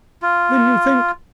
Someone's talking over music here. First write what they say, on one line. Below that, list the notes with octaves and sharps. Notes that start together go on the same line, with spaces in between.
"Then you think--?"
F4